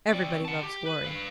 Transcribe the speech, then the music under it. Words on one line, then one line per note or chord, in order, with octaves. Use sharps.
Everybody loves Glory.
C4 D5
F#5 A5
G4
B4
B4 F5